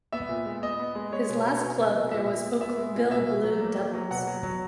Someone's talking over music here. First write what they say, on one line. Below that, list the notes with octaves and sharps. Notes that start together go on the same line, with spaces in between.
His last club there was Oakville Blue Devils.
B3 E5
A#2
G#3
B3 D#5
B3
G#3
G#3 C#5
B2
B2
B2
B2
B2
A#2 E5
A#2
G#3
B3 E5
G#3
A#2
B2 E5
B2
F#3
A#3
A#3
F#3
B2 F#5
F#3
F#3